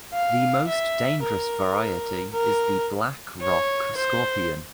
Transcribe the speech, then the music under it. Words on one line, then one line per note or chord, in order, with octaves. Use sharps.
The most dangerous variety is the black rock scorpion.
F5
E5
A#4
A#4
C#5
C5